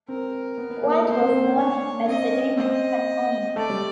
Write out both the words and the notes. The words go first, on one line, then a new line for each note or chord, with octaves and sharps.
White was born in Pasadena, California.
C4 A#4
B3
B3
A#3
A3
A#3 C5
C4
C4
C#4
D4 C#5
C#4
C4 D#5
C#4
C4 D#5
A3 D5
G3